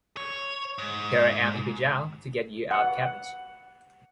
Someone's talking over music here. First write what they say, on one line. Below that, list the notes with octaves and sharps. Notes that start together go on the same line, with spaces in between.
Here I am in Pigalle to get you out of cabins.
C#5
G#2
F#5